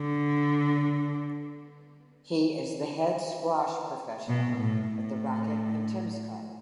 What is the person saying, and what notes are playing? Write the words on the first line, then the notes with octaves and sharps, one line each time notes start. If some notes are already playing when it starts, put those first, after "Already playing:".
He is the head squash professional at the Racquet and Tennis Club.
Already playing: D3
B2
A2
A2